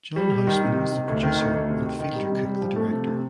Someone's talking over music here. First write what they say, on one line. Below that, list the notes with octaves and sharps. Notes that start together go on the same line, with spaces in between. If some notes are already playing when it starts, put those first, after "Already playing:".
John Houseman was the producer and Fielder Cook the director.
G3
G3
D#3
C3
D#3
C3
D2
D#3
D2
D2
C3
D#3
D#3
G3
C3
G3
F3
A3
C3
C3